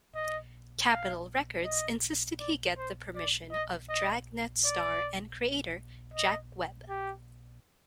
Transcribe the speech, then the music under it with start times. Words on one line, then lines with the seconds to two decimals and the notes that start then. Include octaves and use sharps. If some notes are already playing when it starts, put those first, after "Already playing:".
Capitol Records insisted he get the permission of "Dragnet" star and creator, Jack Webb.
0.15 D#5
0.90 F5
1.65 D#5
2.39 D5
2.78 C5
3.15 D5
3.52 D#5
3.89 D#5
4.65 D5
6.14 D#5
6.89 G4